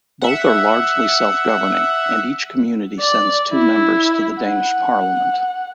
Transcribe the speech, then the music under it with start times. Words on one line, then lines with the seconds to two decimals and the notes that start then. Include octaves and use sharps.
Both are largely self-governing, and each community sends two members to the Danish Parliament.
0.22 E5 F#5
3.00 D5
3.53 E4
4.40 F#5